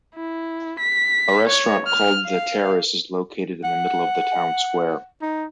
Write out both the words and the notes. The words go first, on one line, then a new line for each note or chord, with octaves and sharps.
A restaurant called The Terrace is located in the middle of the town square.
E4
B6
C#5
F6
F5
F#5
D#4